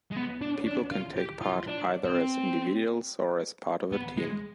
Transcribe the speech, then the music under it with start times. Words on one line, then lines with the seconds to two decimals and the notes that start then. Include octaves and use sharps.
People can take part either as individuals or as part of a team.
0.11 G#3
0.16 B3
0.42 D4
0.67 D4
0.92 F4
1.17 G4
1.42 F4
1.67 D4
2.05 C4
3.92 B3
4.17 G#3